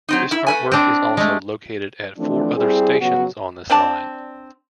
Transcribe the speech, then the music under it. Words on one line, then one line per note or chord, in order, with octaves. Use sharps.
This artwork is also located at four other stations on this line.
F#3 C4 D#4
E4 E5
A3 B4 G#5
C4 D4 D#5
G#3 A3
E3 F3 A3 C4 D4
G3 C4 E4 G#4
C#3 F#3 B3 F#4
C4 D4 D5 A5